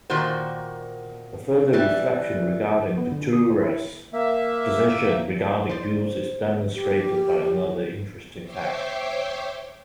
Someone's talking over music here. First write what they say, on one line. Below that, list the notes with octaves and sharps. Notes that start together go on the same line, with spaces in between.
A further reflection regarding Petliura's position regarding Jews is demonstrated by another interesting fact.
A#2 D#3 A#3 F#4 C5
E3 G3
B3
D3
D#6
C5
E4
A#3 E5
C5 D5
G4
C5 C#5 E5 G5 C6 D6